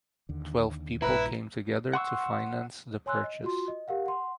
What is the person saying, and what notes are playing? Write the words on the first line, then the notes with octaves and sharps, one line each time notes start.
Twelve people came together to finance the purchase.
D#2 D3
A#1 G2 A#2 E4 B4 A#5
F#5 C6 C#6 E6
C#5 G#5 C6 E6 F#6
D#5
F4 F#4 C6
D#5
G4 A#4 F5 F#5
F#5 C6